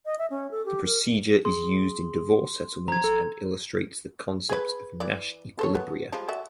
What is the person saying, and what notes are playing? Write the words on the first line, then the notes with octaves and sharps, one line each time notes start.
The procedure is used in divorce settlements and illustrates the concept of Nash equilibria.
D#5
E5
C#4
A4
G4
A#4
G#4 C6
F3 A#5 G#6
A4
G#4 B4
E3 D5
A4 C5 C#5
B3
F3 G3 G#3
F#4 D5 E5